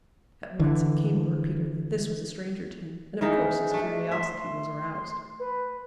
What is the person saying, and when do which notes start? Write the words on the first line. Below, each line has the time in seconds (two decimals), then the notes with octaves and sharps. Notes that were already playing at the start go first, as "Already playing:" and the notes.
At once it came over Peter that this was a stranger to him, and of course his curiosity was aroused.
0.59 D3 E3
3.21 D#3 E3 D#4 G#4
3.71 A3 D4
4.11 E5 C6
5.39 B4